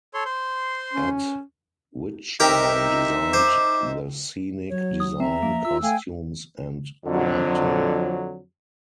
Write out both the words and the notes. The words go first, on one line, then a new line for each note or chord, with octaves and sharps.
Ed Wittstein designed the scenic design, costumes and lighting.
A4 C#5 C6
C5 C6
C#4
D#3 C4 D#4 G4 A#4 E5 G5 A#5
C5 D6
F#3 C#5
D#6
C4 E5 A#5
F3 A#3
F4 E6
A3 F5 G5 G#5
F2 D3 F#3